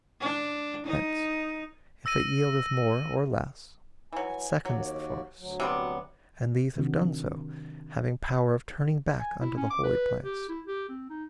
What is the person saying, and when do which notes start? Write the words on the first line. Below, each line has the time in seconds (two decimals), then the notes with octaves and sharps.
Hence, if it yieldeth more or less, it seconds The force; and these have done so, having power Of turning back unto the holy place.
0.21 D4
0.87 D#4
2.06 E6 A#6 D#7
4.12 E3 F#3 G#5
4.65 D#2 F#3 F#4 D5
5.39 D2 F#3
5.60 C3 G3 B3
6.76 C3 D#3 F#3 C4 D4 F#4
9.20 G#5
9.41 E4
9.57 C#4
9.70 D6
9.84 B4
10.24 G4
10.49 E4
10.67 G4
10.89 C4
11.10 D#4